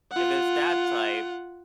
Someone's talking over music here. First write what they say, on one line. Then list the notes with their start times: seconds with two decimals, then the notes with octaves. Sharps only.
if it's that type,
0.12 F4 F#5